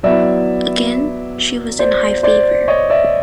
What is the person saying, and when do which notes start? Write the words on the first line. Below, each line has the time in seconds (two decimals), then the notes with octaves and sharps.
Again she was in high favour.
0.03 F#3 B3 E4 D5 E5
1.79 C5 D5
2.23 C5 D5
2.68 C#5 D#5
2.90 D5 E5